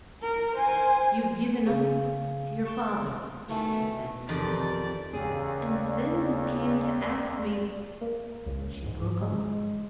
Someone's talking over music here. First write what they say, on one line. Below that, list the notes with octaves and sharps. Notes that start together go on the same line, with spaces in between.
"You've given up--to your father," she said, slowly, "and then you came to ask me--" She broke off.
A#4
C5 G#5
C#3 G#4
G5 A5 C#6
B2 D#3 E3 A3
F2 D#3 E3 G4 D5
D#2 C#3 G#4 D5
A#3
C#2
G#2
G#3